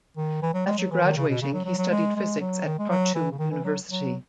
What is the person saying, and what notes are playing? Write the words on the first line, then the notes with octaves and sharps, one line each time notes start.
After graduating he studied physics at Tartu University.
D#3
E3
F#3
G#3
F#3
E3
D#3
C#3
B2
C#3
F#3
F#3
F#3
G#3
G#3
F#3
D#3
G#3
F#3
E3
C#3
D#3
E3
F#3
F#3